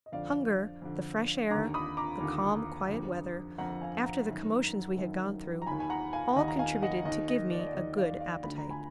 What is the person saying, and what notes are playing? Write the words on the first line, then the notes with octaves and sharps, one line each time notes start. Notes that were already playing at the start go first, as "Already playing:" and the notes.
Hunger, the fresh air, the calm quiet weather, after the commotions we had gone through, all contributed to give me a good appetite.
D#5
F2 D3 D5 F5
F2 D3
D#2 D3 A#5 D6
B5 D#6
A#5 D6
D#2 D3
F2 D3
F2 D3 F#5 A#5
F5 G#5
F#5 A#5
F#2 D#3
F#2 D#3
A#5
D#2 D#3 G#5 B5
G#5
F#5 A#5
F5 G#5
D#2 D#3 D#5 F#5
A#5
F5 G#5
D#5 F#5
D#2 D#3 D#5
D#5
D5
D#5
D5
D#2 D#3 D#5
D5 F5
D5 F5
D2 D3 B5
A#5
G#5 B5